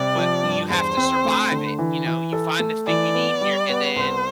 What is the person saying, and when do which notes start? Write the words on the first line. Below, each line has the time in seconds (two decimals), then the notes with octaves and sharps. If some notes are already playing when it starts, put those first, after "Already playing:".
We you have to survive it, you know? You find the thing you need and you're and then,
Already playing: C3 G3 D5
0.15 F3
0.43 G2
0.70 E2 C5
0.97 C4
1.25 D2
1.52 D3
1.79 E3
2.06 E3
2.33 A4
2.60 A3
2.87 E3 D5
3.15 B3
3.41 G3
3.69 B3
3.96 C2 C5